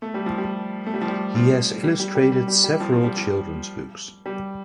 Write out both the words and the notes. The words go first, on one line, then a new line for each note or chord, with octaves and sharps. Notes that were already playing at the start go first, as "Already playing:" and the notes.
He has illustrated several children's books.
A3
G3
F3
G3
A3
G3
F3
G3
F3
G3
G3
G3
G3
G3
G3
F3
F3
G3
F3
G3